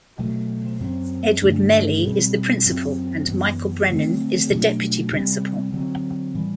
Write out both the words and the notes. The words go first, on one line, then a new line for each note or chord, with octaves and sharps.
Edward Melly is the principal and Michael Brennan is the Deputy Principal.
B2 F#3 A3
F#2 F#3 C4
G2 D3 A3 D4
B2 G3 C4
F#2 F#3 C4
F#2 E3 B3
D3 A3 C4
B2 F#3 A3 D4
C3 G3 C4
D3 F#3 C4
A2 E3 G3